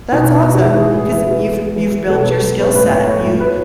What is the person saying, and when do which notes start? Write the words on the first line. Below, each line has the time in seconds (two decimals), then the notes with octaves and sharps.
That's awesome 'cause you've you've built your skill set. You
0.12 B2 D#4
0.29 B3 E4
0.46 B2
0.54 F#4
0.61 G#3 E4
0.78 E3 G#4
0.94 A2 G#4
1.11 E3 E4
1.27 B3 F#4
1.44 G#3
1.60 G#3
1.76 E3
1.93 B3
2.10 B2 A4
2.26 B3 A4
2.42 F#3
2.59 B3 C#5
2.74 A2 B4
2.91 A2 C#5
3.03 B4
3.08 A2 C#5
3.24 A2
3.40 B3 B4